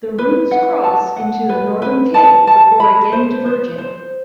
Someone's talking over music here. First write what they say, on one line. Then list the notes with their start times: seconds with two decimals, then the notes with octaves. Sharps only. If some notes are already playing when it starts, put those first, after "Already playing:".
The routes cross into the Northern Cape before again diverging.
0.18 B4
0.51 F#5
0.84 A5
1.16 F#5
1.49 B4
1.82 B4
2.14 A5
2.47 A5
2.80 B5
3.12 C5
3.46 C5
3.78 C5